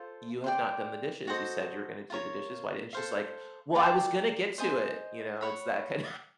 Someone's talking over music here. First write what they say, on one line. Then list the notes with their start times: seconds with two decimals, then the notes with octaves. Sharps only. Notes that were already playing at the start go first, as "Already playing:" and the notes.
you have not done the dishes, you said you were gonna do the dishes. Why didn't" She's like, "Well, I was gonna get to it." You know? It's that kind
Already playing: F4 A4 C5
0.44 D5 G5 C6
1.27 F#4 A4 C5 D#5
2.10 F4 A#4 C#5
2.93 A4 C5 F5
3.75 F4 A#4 D5 G5
4.58 C5 D#5 G#5 C6
5.41 C#5 F#5 B5